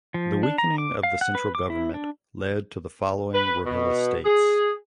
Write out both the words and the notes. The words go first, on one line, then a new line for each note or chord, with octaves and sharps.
The weakening of the central government led to the following Rohilla States.
F3
D4
A#5
D6
F5
F#5
B4
D6
E4
D4
B4
B2
G#4